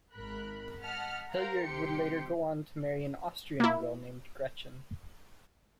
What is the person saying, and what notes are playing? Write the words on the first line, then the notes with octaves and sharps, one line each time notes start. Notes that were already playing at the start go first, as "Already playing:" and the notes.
Hilliard would later go on to marry an Austrian girl named Gretchen.
G#1 A#4 B5 F#6
D#5 F#5 A5 F6 B6
A#4 C5 F5 F#5 A#5
C2 C3 G4 G5 C6 C#7
A#3 E4